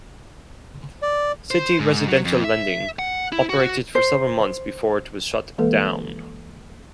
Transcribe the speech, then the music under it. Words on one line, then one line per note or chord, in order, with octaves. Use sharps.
Citi Residential Lending operated for several months before it was shut down.
D5
C5
G#2
F#3
F2
E5
F#5
E4
F#4
C5
E3 G#3 A#3 A4 B4